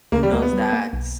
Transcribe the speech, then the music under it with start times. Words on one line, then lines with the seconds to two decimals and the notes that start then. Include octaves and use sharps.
who knows that
0.12 D2 A#3
0.23 G3
0.32 D2 A#3
0.42 B3
0.53 G3
0.73 A#3
0.93 B1